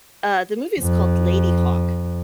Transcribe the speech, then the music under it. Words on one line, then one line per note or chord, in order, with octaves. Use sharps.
uh, the movie's called Ladyhawke.
F2